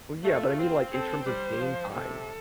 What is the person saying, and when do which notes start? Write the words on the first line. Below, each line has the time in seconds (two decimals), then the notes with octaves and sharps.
Well yeah, but I mean, like, in terms of game time,
0.23 A3 F4
0.57 C4
0.91 C4 A4
1.25 G3 C5
1.59 F3
1.94 C3 A4